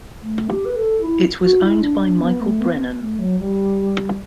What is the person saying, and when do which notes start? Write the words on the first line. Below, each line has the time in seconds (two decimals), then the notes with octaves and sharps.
It was owned by Michael Brennan.
0.23 A3
0.49 G4
0.65 B4
0.76 A4
1.01 E4
1.41 F#4
1.61 E4
1.81 D4
2.01 D4
2.20 B3
2.41 A3
2.61 B3
3.00 A3
3.19 F#3
3.39 G3